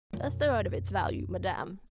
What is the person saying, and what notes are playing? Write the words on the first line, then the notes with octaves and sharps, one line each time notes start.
"A third of its value, madame."
B1 F#2